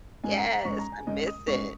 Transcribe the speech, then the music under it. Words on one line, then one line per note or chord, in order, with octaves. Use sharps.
Yes, I miss it.
G#2 G#3 C#4 G#5
A#5
A#5
G#2 G#3 C#4 C#6
A#5
G#5
G#2 G#3 C#4 D#5
D#6
G#2 G#3 C#4 C#6